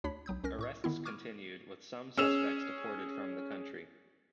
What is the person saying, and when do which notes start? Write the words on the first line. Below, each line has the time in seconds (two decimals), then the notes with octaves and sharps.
Arrests continued, with some suspects deported from the country.
0.04 D2 D4 C#5 B5 B6
0.26 B1 F#3 D#6 G6
0.44 C2 C#4 A#4 F6 A#6
0.59 A2 C#6 D#6
0.84 D3 D#3 B3 E4
1.05 C#6 D6 F6 G#6 D7 D#7
2.17 C#4 G#4 E6 E7 F7